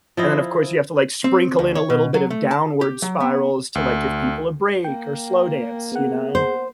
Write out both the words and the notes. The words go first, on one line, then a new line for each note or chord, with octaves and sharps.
and then, of course, you have to, like, sprinkle in a little bit of downward spirals to, like, give people a break or slow dance, you know?
F3 E4 D#5
C4
D2
C#5
B2
F#3
A3
A5
G4
F#3
B3
D2
A#3 G5
B3 G#4 F#5
C5